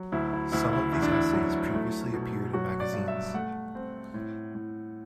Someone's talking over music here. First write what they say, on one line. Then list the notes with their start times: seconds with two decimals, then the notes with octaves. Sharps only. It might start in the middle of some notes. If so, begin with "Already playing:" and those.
Some of these essays previously appeared in magazines.
Already playing: F#3
0.12 D2 E4
0.33 E4
0.52 D2 E4
0.73 E4
0.92 E2 E4
1.02 D4
1.11 E4
1.33 F#3
1.74 A3
2.14 B2
2.53 F#3 F#4
2.80 D5
2.93 G2
3.08 E5
3.34 A3 F#5
3.75 C4
4.14 A2
4.55 A2